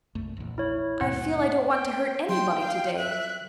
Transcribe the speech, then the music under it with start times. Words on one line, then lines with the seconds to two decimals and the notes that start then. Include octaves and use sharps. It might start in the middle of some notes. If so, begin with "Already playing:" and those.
"I feel I don't want to hurt anybody to-day."
0.15 C2 F#2 A3
0.37 A#1 E2
0.58 E4 C#5
1.01 D#2 G#2 B2 F#5
1.71 G5
2.29 F#3 G5 C6
2.59 F5
2.98 E5 F#6